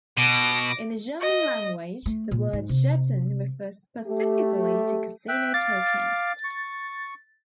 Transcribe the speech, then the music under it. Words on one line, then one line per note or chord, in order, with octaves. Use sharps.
In the German language, the word "Jeton" refers specifically to casino tokens.
B2 D6 A#6
D#5
A3
A#2
G#2
C3
A3 G4
E5 G5 F#6
F5 D6 A6
C#6